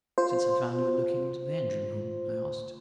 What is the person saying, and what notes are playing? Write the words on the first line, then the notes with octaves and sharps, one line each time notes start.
"Since I found you looking into the engine-room?" I asked.
F4 C5